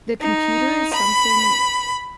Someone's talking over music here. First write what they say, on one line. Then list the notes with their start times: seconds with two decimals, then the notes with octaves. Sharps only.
the computer is something
0.20 D#4
0.93 B5